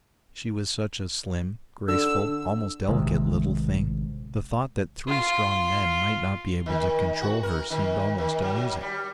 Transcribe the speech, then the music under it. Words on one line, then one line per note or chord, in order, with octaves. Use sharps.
She was such a slim, graceful, almost delicate little thing; the thought that three strong men might not be able to control her seemed almost amusing.
D3 E6
A1 C3 D#3 G#3
F4
D#3
F#4
A#4
D#3
D#3
F#3
G3